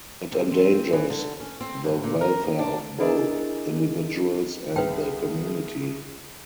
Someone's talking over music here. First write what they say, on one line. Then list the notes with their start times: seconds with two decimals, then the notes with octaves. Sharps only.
It endangers the welfare of both individuals and the community.
0.32 C3
0.51 C4
0.93 E3
1.10 D3
1.40 C#4
1.61 C4
1.84 G2
2.03 A#2
2.21 A#4
2.45 D#2
2.59 D4
3.00 D4 E4 G#4 A#4 D#5
4.76 C2 G#4 B4 G5